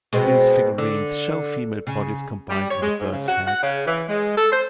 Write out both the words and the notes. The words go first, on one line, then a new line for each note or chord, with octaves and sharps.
These figurines show female bodies combined with a bird's head.
B2 G#3 C4
D3
C#3
G3
C#5
G#3
G#2
C#3
F#4
F#5
C#3
E3
G#3
A4
C5